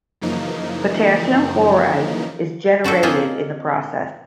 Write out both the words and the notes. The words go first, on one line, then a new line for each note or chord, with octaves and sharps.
Potassium chloride is generated in the process.
F#2 C#3 E3 F3 A#3 D#4
D4 F#4 G4 A4
A#3 C4 F4 D#5 G#5